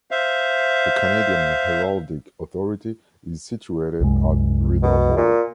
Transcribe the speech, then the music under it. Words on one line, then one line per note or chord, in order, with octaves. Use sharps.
The Canadian Heraldic Authority is situated at Rideau Hall.
C5 E5 F5
C2 F#2 G#3
B2
A#2